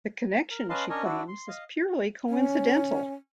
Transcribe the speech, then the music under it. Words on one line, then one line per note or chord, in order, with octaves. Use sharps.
The connection, she claims, is purely coincidental.
A#4
C#4 B4 D#5 F5 A5 C6
C#4 D4 A#4 C#5 D#5
D4 E4 F#4
C6
D#5 F5
C#4